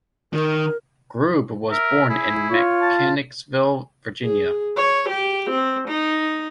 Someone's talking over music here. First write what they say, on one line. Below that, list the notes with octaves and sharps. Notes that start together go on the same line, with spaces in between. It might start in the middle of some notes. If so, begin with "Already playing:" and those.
Grubb was born in Mechanicsville, Virginia.
D#3 A#4
A#4 E5
E4 G#4
F4 C#5
A5
G#4
C#5
G4
C4
D#4